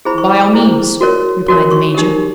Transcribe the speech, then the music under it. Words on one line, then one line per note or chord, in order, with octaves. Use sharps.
"By all means," replied the major.
E4 G#4 C5 B5
C#6
D6
D#6
E4 G#4 C5
F#4 A#4 C#5
F#4 A#4 C#5
C#6
D#4 G4 A#4